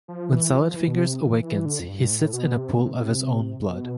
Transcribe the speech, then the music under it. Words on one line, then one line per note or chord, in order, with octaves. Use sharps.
When Salad Fingers awakens he sits in a pool of his own blood.
F3
E3
F3
E3
B2
C3
E3
E3
D3
F2
G2
A2
B2
C3
B2